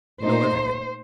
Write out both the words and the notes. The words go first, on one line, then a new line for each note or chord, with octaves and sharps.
You know everything.
A#2 A3 D#4 C5